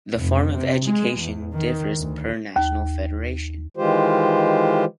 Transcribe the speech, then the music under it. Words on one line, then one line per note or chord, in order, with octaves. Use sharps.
The form of education differs per national federation.
F1
C3
G#3
E2
D#3
D2
D#2
D#3 E3 G#3 F4 G4 C5